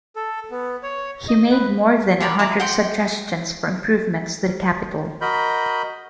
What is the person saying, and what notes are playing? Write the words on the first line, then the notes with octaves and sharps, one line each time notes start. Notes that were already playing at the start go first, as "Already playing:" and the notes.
He made more than a hundred suggestions for improvements to the capital.
A4
B3
C#5
D#5
B4
F#4 G4 A#4 B4
E4 A5 A#5 D6
F#5 G5 C6
F#4 A#4 D#5 B5 G6